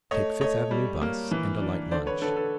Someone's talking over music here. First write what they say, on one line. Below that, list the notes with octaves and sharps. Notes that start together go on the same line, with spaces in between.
Take Fifth Avenue bus, and a light lunch.
A3 C#5 D#5
A3 C#5 D#5
G3
A#3
E3
D4
D3 C5 D5
B4 C#5
D3 A4 B4
A4 B4